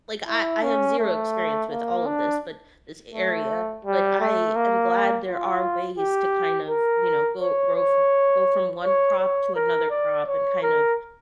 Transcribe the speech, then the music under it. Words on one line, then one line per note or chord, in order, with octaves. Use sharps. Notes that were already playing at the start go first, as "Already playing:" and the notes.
like, I I have zero experience with all of this, but this a area but I am glad there are ways to kind of, you know, go grow fr go from one crop to another crop, and kind of,
E4
C#4
A3
A#3
D4
A3
G3
A3
A#3
F4
G4
A#4
C#5
C#5
C#5
C#5
A#4
D5
C#5
A#4